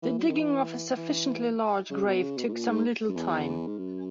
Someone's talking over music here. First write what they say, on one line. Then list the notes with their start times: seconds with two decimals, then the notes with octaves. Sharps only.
The digging of a sufficiently large grave took some little time.
0.03 E3
0.18 F#3
0.29 D#3
0.34 E3
0.97 E3
1.90 C#3
2.06 B2
2.22 C#3
2.37 B2
2.48 G#2
2.53 A#2
2.68 G#2
3.09 F#2
3.15 E2
3.67 G#2
3.78 F#2